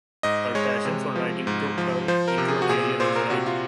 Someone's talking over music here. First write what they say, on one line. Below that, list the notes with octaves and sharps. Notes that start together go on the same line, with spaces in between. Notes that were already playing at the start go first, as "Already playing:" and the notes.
Her passion for writing took her into a career as a writer.
G#2 D#5
G#3 C#5
C3
F3
G#2
F3
F3 C5
A#4
C3
G#4
F#4
A#2 G#4
A#2 C5
A#4
C3 F#4
F4